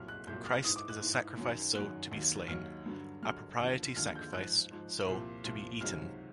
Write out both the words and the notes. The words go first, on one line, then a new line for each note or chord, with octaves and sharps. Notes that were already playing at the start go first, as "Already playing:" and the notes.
Christ is a sacrifice-so, to be slain; a propitiatory sacrifice-so, to be eaten.
Already playing: C2 A#2 F#3 F6
F#6
C2 A#2 F#3 G6
F6
G#2 E3 D#6
D6
F#6
G#2 E3
F#2 D#3 F#3
F#2 D#3 F#3 F#6
D#2 D#3 F#3
D#2 D#3 F#3 F6
G2 D3 F#3
G2 D3 F#3 F6
D#2 D3 F3
D#2 D3 F3 F6
G6
G#2 F3 F#6
G#2 F3
C2 A#2 F3
C2 A#2 F3
C#2 C3 D#3 F#3 F6